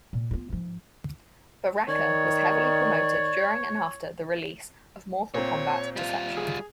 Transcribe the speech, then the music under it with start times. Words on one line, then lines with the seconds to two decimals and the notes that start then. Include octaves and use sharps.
Baraka was heavily promoted during and after the release of Mortal Kombat: Deception.
0.13 A#2
0.31 B3 F4
0.49 G#2 F3
1.89 D#3 C#5 D5
5.35 A#2 C4 C#5
5.96 G3 F4
6.37 G#4